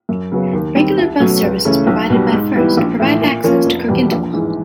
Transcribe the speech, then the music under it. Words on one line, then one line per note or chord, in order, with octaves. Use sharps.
Regular bus services provided by First provide access to Kirkintilloch.
F#2
C#3 F#3 B3
D#2
D#3 G3 C4
C2
B2 F#3 A3 C#4
C#2
C#3 E3 A3 C#4
B1
B2 G3
G#2
E3 G3 B3 E4
A#1
A2 E3
A#2
F3 A#3 C#4 F4
F1
E2 B2 G3
A#1
G#2 E3 G#3